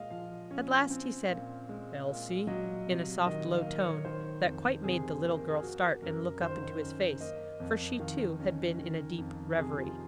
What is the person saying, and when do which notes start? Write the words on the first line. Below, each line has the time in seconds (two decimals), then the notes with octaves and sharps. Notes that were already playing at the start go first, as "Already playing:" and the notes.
At last he said, "Elsie!" in a soft, low tone that quite made the little girl start and look up into his face; for she, too, had been in a deep reverie.
Already playing: A#2 G#3 D#5 F5
0.11 F3 F5
0.51 C#4
0.90 C4
1.29 A#2
1.69 G#3
2.08 A#2
2.47 F#3 D#5
2.87 C3
3.26 D#3 D#5
3.53 F5
3.66 A#3
3.79 C#5
4.05 D#3 C5
4.44 F2
4.84 C3 G#4
5.23 A#3
5.36 A#4
5.50 G#4
5.62 A#3 F#4
6.02 F#2 A#4
6.41 D#3 C5
6.81 C#4
7.20 A#3 D#5
7.60 F2
7.99 D#3 F5
8.39 C#4
8.78 D#3 A#4
9.18 F2
9.57 C3 G#4
9.77 F4